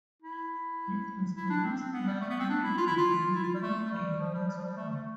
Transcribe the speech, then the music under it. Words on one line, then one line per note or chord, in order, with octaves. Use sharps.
This was the last version made available in a Unix port.
E4
E4
D4
C4
C4
B3
G3
A3
B3
C4
D4
E4
F4
E4
F4
E4
F4
G3
A3
G3
F3
G3
G3
F3
G3
A3
A3